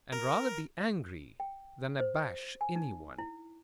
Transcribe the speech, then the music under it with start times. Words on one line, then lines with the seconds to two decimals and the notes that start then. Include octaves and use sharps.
And rather be angry than abash any one!
0.12 A#4
1.40 G5
2.00 C5
2.61 G#5
2.75 D#4
3.18 E4